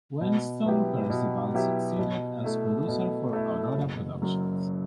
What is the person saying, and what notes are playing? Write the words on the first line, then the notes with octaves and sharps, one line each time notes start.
Weston Perceval succeeds as producer for Aurora Productions.
B2
F#3 B3 E4 G4
B2
F#3 B3 E4 G4
B2
A3 E4
B2
A3 E4
F#1
F#2 F#3